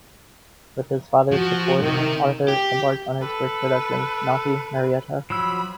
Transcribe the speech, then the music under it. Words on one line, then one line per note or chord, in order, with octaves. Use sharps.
With his father's support, Arthur embarked on his first production, "Naughty Marietta".
F3 F#4
C3 D#3
G4
A4 B4
F3 F#3 B5 E6